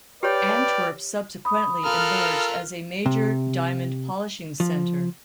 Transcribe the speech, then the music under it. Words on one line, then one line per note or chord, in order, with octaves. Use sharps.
Antwerp subsequently emerged as a major diamond polishing center.
G4 B4 C#5 D5 G5 F6
B5 D#6
F4 A4 A#4 F6 F#6
C3
F3